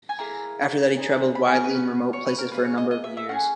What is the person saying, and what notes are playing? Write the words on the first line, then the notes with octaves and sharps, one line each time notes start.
After that he travelled widely in remote places for a number of years.
G#5
A#3 E4 G#4 A#5
B3 D#4 G#4
B5
G#5
A#4
B4
C#4 F#4
C#5
B4
A#4
A#3 E4 G#4 B4
C#5
D#5
D#5
E5
E5
C#4 E4 G#4 F#5